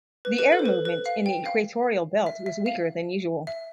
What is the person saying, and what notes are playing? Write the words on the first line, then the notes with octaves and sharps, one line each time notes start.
The air movement in the equatorial belt was weaker than usual.
B4
B4
A4
C5
B4
B4
F5
G5
F5
E5
E5
F5
E5